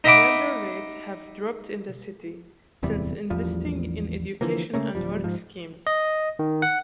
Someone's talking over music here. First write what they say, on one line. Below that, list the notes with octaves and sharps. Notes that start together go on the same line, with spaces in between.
Murder rates have dropped in this city since investing in education and work schemes.
D#4 D#5 E5 F#5 B5 D6
D1 E2 C3 G3
A1 E2 F3 G3
D3 E3 F3 A#3
C#3 A3 A#3 C#4
D1 C2 F3 G3
G#2 F3
D#5
D#3
F#5